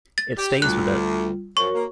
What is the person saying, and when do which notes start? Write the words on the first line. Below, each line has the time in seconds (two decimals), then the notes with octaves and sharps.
It stays with it.
0.18 A6
0.37 G4
0.62 D2 G3 F4 F#6
1.57 F#2 F3 F#4 A#4 C#5 C#6
1.74 A#3